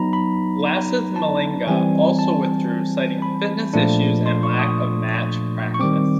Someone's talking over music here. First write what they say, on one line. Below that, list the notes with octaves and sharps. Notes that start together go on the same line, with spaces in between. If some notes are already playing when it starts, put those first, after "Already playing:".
Lasith Malinga also withdrew citing fitness issues and lack of match practice.
Already playing: F#3 B3 D#4 A#5 B5
B5
A#5
A5
E3 G3 C4 G#5
A5
B5
A#2 F3 A3 D4 F4
C6
C#6
D#6
C#6
D#3 G3 C4 D6